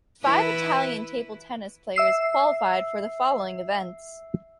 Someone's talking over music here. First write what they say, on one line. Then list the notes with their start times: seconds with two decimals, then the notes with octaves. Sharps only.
Five Italian table tennis players qualified for the following events.
0.23 E3 E4 B4
1.96 E5 E6 C7